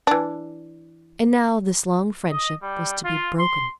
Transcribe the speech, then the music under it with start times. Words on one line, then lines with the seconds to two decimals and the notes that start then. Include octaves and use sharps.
And now this long friendship was to be broken.
0.07 E3 D4
2.31 D#5
2.62 G3
3.04 F4
3.39 C6